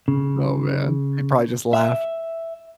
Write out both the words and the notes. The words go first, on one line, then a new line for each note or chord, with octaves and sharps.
Oh, man. He'd probably just laugh.
C#3
E5